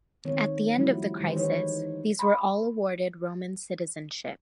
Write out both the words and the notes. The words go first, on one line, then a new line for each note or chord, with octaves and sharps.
At the end of the crisis, these were all awarded Roman citizenship.
D#3 G#3 B3 C4 C#5
F3 G3 A3 E4 F#4
D#3 E3 G#3 G4 C5
D#4 B4 C#5
B5 C6